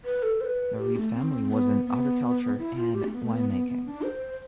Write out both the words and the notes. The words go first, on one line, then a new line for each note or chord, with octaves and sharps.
The Reiss family was in agriculture and winemaking.
B4
A4
C5
B4
G4
A3
C4
B3
B3
E4
F4
G4
A3
B3
A3
B3
B3
B3
D4
C5